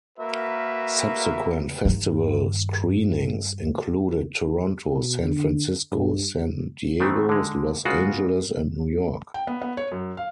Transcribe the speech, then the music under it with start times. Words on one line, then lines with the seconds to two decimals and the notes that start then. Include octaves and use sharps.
Subsequent festival screenings included Toronto, San Francisco, San Diego, Los Angeles and New York.
0.19 A#3 F#4 A#4 B4 E5
1.85 G2 D#3
4.92 B2
5.23 D3
5.92 G2
7.00 D#3 E3 A3 C4
7.29 D3 G#3
7.85 C#3 G#3 F4 F#4
9.34 G5
9.47 B3
9.62 B3
9.77 C#5
9.92 F#2
10.17 F5